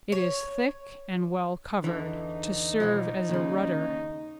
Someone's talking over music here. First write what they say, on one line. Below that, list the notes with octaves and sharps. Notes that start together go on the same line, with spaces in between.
It is thick and well covered, to serve as a rudder.
C#5
E2 D3 E3 D#4
B2 E3 F3
D#2 A#2 C#3